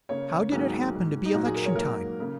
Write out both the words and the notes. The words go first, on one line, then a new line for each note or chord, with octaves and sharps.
How did it happen to be election time?
C#3 A#3 C#5
G#2 D#3 F#3 A#3 G#4
G#2 G#3
D#4
A#2 F#3 A#3 F#4
G#4
A#4
C#5
G#2 F#3 A#3 A#4
C#3 A#3